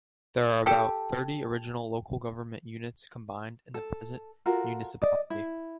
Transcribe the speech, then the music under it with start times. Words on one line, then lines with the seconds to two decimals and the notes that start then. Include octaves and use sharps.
There are about thirty original local government units combined in the present municipality.
0.66 G4 A4
3.74 A4
4.46 F4 F#4 A4 A#4
5.02 D5 D#5
5.30 E4